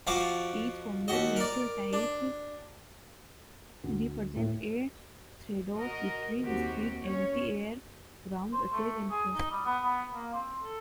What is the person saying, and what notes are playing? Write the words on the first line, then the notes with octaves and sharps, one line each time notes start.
Each combat vehicle type represents a tradeoff between speed, anti-air, ground-attack, and cost.
F2 F3 F#4 F5 D6
D#2 F#4 D#5
A#4 D5
D4
D2
A2
F#4 A#4 D#5
D#2 C4 F#4 G4
C#4 C#5
C5
A3
G#4
D#4
G3
B3
B3
A#3
C4
A4